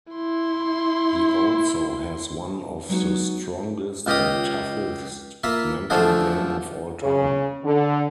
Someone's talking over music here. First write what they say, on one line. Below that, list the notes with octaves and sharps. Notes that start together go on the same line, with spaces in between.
He also has one of the strongest and toughest mental game of all time.
E4 C6
F#3 G#3 B3 D#4 F4 F#4
C#2 F4 G4 D#5 F5 D#6
A#3 F4 E5 B5
D3 F3 A3 D4 F4 G#4
C#3
D3